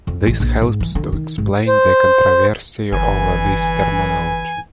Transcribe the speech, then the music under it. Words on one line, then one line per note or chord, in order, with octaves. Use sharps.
This helps to explain the controversy over this terminology.
F2
A1
A#1
G#2
E3
D3
D#3
G#1
C5
G1 E3 G#5